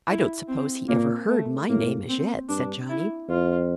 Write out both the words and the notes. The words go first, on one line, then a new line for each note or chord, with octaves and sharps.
"I don't suppose he ever heard my name as yet," said Johnny.
E4
C4
A#2 A#3
A3
A2 A#3
C4
G2 D4
E4
F2 F4